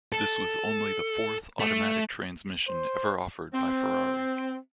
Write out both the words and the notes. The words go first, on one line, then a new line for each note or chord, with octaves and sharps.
This was only the fourth automatic transmission ever offered by Ferrari.
A4
A3
C5
C4